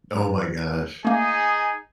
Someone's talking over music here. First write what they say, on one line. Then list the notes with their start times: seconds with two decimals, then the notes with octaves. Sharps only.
Oh my gosh.
1.05 A3 A#3 D#4 G#4 G#5